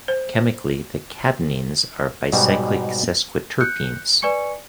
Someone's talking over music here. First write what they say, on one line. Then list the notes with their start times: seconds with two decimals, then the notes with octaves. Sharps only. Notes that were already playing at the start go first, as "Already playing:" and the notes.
Chemically, the cadinenes are bicyclic sesquiterpenes.
0.08 C5
2.33 G#2 B2 F#3 G3
3.60 F#6 G6 C#7
4.22 B4 D5 G#5 C#6 C#7